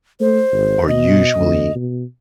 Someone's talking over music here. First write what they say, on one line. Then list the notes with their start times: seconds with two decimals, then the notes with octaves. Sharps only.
or usually
0.21 A3 C5
0.52 G#1
0.88 B2 D#5
1.37 D2
1.75 B2